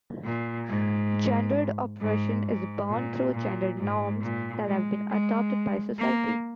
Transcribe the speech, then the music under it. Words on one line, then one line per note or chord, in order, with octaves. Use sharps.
Gendered oppression is born through gender norms that have been adopted by society.
A#2
G#2
G#2
G#2
A#2
A#2
G#2
A#2
G#3
G#3
A#3